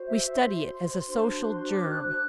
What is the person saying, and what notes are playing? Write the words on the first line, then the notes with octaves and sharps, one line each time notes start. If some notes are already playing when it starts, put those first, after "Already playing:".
"We study it as a Social Germ."
Already playing: F#4 C5
E5
E5
C6
D4 F#4 C5
D6
G6
F#6
F#6